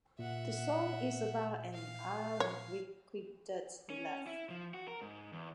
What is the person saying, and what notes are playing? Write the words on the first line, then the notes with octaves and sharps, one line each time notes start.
The song is about an unrequited love.
A#2 E5 F#5
F5
C#5
C#4
E4
F3
F#4
A#4
G#2
E2